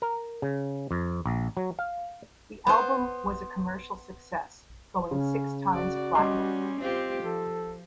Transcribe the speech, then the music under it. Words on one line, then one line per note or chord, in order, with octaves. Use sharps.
The album was a commercial success, going six-times platinum.
A#4
C#3
F2
A#1
F#3
F5
B3 C5
C#3 C#4
F#4 D5
G3 C#4 D#5 C6 D6
C4 F4 G4
F3 A4